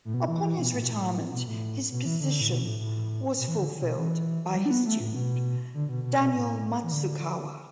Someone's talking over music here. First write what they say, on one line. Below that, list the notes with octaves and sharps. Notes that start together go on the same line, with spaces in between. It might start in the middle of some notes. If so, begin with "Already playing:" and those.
Upon his retirement, his position was fulfilled by his student, Daniel Matsukawa.
A2
B2
E3
E3
B2
A2
B2
A2
B2
A2
B2
E3
D3
A2
B2
A2
A2
B2
E3
D3
D3
B2
E3
E3
G3
D4
B3
A3
A2
B2
D3
B2
B2
B2
A2
E3
D3